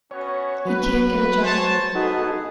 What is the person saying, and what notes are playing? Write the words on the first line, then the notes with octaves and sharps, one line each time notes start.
He can’t get a job.
B3 C#4 F#4 C#5
F#3 B4
C5 C#5 A5
B3 D#4 F#4 G#4 A4